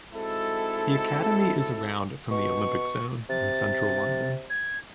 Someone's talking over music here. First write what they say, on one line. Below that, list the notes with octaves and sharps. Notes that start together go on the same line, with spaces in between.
The academy is around from the Olympic Zone in central London.
G#3 C4 D#4 E4 F#4 A4
B2 C#6
C3 A6
G#6